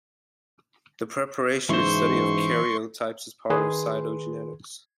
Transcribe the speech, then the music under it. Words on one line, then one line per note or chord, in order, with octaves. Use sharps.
The preparation and study of karyotypes is part of cytogenetics.
G#2 C#3 E3 F#3 E4 C5 C6 C#6
D#3 G#4 B4 C6